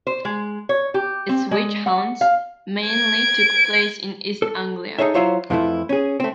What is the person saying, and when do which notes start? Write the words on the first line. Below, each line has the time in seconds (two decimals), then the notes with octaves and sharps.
His witch-hunts mainly took place in East Anglia.
0.07 C5
0.25 G#3
0.69 C#5
0.94 G4
1.29 C4
1.51 G#3
1.86 F#5
2.21 F5
2.86 G#6 D7
4.42 A4
4.99 D#4 F#4 G#4 A4 C#5 E5
5.14 F#3 E4 F4 C5 C#5 E5
5.50 F2 E3 F3 G#3 A3 E4
5.89 C#4 G#4
6.20 A3 C4